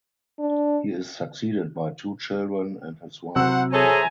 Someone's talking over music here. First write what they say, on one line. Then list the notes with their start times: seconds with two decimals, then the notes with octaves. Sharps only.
He is succeeded by two children and his wife.
0.39 D4
3.36 C3 F#3 E4 C5 F#5 E6
3.73 G#4 A4 C5 C#5 E5 G#5 A#5